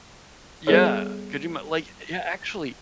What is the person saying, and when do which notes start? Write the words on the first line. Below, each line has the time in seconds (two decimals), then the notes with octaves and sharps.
Yeah. Could you ma like, yeah, actually
0.67 G3 B3 G#4 A4 C#5